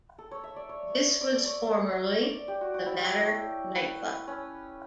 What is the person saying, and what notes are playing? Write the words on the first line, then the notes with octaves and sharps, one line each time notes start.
This was formerly the Matter nightclub.
A4
C#5
E5
D5
C#5
E5
D5
C#5
D5
G4
F#4
F#4
E4
G4
A4
C#5
B4
C#4